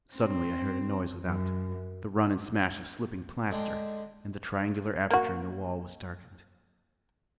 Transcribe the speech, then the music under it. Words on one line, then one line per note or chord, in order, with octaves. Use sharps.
Suddenly I heard a noise without, the run and smash of slipping plaster, and the triangular aperture in the wall was darkened.
C4
F#2
D3 G#3 D4 G5 C6
A#3 F#4